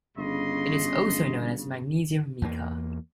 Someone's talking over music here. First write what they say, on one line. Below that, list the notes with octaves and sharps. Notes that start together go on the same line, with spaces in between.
It is also known as magnesium mica.
G1 C#3 D#5 C6
E2 A#3